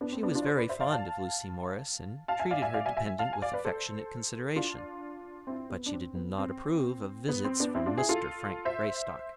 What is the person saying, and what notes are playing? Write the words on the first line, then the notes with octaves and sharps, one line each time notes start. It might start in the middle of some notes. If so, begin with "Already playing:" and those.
She was very fond of Lucy Morris, and treated her dependent with affectionate consideration;--but she did not approve of visits from Mr. Frank Greystock.
B3 D4
C4
B3 D4
D4 F4
D5
A4 C5
B4 D5
C5 E5
D5 F5
F5 A5
F5 A5
E5 G#5
D5 F5
E5 G#5
D5 F5
E5 G#5
E5 G#5
F5 A5
G#5
D5 F5
B4 D5
A4 C5
D4 F4
C4 E4
B3
D4
C4
B3
C4
B3
C4
B3 D4
C4 E4
D4 F4
E4 G#4
F4 A4
C5 E5